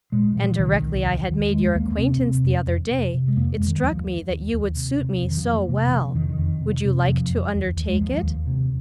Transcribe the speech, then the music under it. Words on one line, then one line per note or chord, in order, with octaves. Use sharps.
And directly I had made your acquaintance the other day it struck me that you would suit me so well. Would you like to undertake it?
A#2 G#3
A#2 F3
G#3
F3
C2 D#3
C2
D#2
D#2
D#2 G#3
D#2 A#3
A#3
C3 C4
C3
F2
F2
C3
C3
G#3
F2 A#3
G#3
F2
D#3
G#3
D#2 F3
D#2
D#2
D#2
C3
C3
F2
D#3
F3
F2
A#3
C3 A#3
D#3
C3 F3
F2 D#3
D#3
F2
C3
C3
F2 F3
F2
D#2
D#2
G#3
D#2 F3
D#2
C3